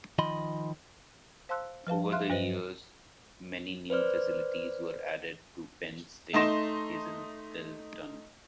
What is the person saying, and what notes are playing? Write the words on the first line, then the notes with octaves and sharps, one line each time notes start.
Over the years, many new facilities were added to Penn State Hazleton.
D#3 F3 D#5 B5 C6
C5 F5 A5 C6 E6 F#6
F3 B4 F5 A5
E5 F5 C6 F6 F#6
G2 F#3 B4 C5 D#5
B4 C5 D5 F6
A3 D#4 C6 A#6 E7